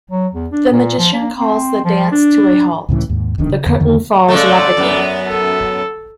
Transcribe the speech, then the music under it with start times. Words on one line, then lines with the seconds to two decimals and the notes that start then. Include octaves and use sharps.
The Magician calls the dance to a halt; the curtain falls rapidly.
0.11 F#3
0.34 E2
0.52 D4
0.72 A#2
0.98 F3
1.13 A#3
1.37 C4
1.84 F3
2.12 D4
2.89 C#2 A2 C#3 E3
3.09 D#2 G#2
3.38 D1 A#1 D#3 D4
3.50 C#3
3.66 E2 D3
3.80 E2 D3 D#3
4.29 C#3 G#3 A3 A4 D5
4.77 F#2 B3
5.28 A4